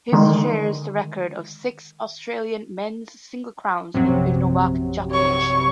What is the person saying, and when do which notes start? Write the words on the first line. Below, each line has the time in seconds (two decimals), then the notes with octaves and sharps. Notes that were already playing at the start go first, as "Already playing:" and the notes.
His shares the record of six Australian men's singles crowns with Novak Djokovic.
0.12 D3 D#3 G#3
3.94 A#1 F#2 C3 F#3
5.10 C#5 C#6